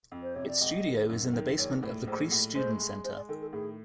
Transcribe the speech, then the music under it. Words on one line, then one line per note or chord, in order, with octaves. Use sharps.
Its studio is in the basement of the Creese Student Center.
F2
C5
C3 C#5
D5
G#1 D#5
D#3
F#2
D#3
A#1 C#5
A2
A#1 C5
A2
G#3 C5
G#3
G#3 C5
D5
D#3 A4
A4
A2 G#4